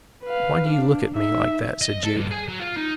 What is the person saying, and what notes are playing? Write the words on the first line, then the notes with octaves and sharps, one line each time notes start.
"Why do you look at me like that?" said Jude.
B4 F5
D4
D#4 E5
D#5
A4
G2
G#4
F#3
F4
D#4